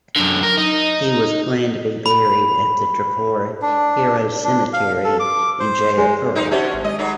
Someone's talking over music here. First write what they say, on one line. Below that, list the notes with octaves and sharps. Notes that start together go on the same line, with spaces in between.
He was planned to be buried at the Trikora Heroes Cemetery in Jayapura.
F#2 D3
A#4
D#4
B5
D4
D4
F5
A4
D6
C5
G#3
D#4 G4 C5
C#4 D4 F#4 G4 C5 E5
G#1
G#3 D#5
G#2 F#3 B3